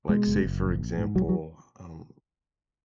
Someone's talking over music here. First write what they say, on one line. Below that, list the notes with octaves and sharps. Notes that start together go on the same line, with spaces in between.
like, say, for example, um
B2 G#3
F#1
F#1
A#1
A#1
G#2
B1 F#3
F#3